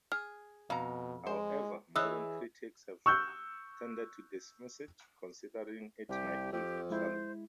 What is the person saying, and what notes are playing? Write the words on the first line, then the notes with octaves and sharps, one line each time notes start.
However, modern critics have tended to dismiss it, considering it naive and shallow.
G#4 F6
F2 B2 F5 A#5
G#3 C5
E3 G#4 C#5 D#5 E5 D#6 E6 F#6
C#6 E6 F#6 G6
C2 G4
F2 G4
G#3 E4 C5